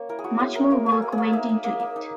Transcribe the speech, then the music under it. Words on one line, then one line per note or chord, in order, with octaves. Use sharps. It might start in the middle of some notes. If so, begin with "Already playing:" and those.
Much more work went into it.
Already playing: A#3 C#4 C#5
E4 A#4
G#4
E4 F#4
E4 G#4
E4 A#4
A#3 A#4
A#3
G#4
A#3
G#4
A#3
D#4 E5
D#4
A#3
A#3
D#4